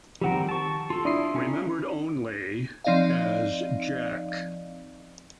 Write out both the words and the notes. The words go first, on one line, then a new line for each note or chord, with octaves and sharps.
Remembered only...as Jack.
D#3 F3 G3 C4 G4 A#4 F#5
A5 C#6
F4 A4 A5
D4 E4 D5 D#6 C7
C#4 D#4
F3 C4 D#4 D5 D#5 F5